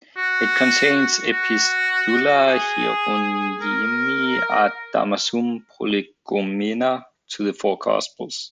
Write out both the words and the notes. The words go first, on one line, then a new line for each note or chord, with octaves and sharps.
It contains Epistula Hieronymi ad Damasum, Prolegomena to the four Gospels.
F#4
F#4
G#4
A#4